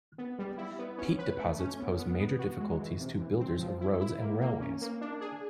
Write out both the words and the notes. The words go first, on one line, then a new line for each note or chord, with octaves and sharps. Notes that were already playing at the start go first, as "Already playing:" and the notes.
Peat deposits pose major difficulties to builders of roads and railways.
B3
G3
E4
B3
C#4
B4
A3
C#4
B3
B3
B3
F#4
G#3
E3
C3
E3
C4
F3
E4
E4
A#3
A#3
C#4
A#3
D4
G#4